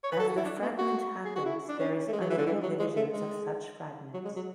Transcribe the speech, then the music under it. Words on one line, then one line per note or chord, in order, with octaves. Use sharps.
As the fragment happens there is unequal divisions of such fragments.
C#5
B4
A4
F#4
E4
D4
B3
F#4
G#4
F#4
E4
D4
C#4
A3
G#3
F#3
E3
D3
E3
F#3
G#3
A3
G#3
F#3
G#3
F#3